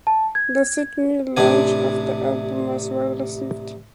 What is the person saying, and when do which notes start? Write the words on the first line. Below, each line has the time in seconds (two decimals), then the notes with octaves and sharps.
The Sydney launch of the album was well received.
0.07 A5
0.35 G#6
1.37 A1 C3 D4 G#5